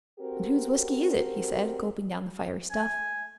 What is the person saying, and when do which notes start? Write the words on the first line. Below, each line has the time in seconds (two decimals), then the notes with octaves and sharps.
"And whose whisky is it?" he said, gulping down the fiery stuff.
0.19 C4 F#4 G4 A4 A#4
2.71 G#5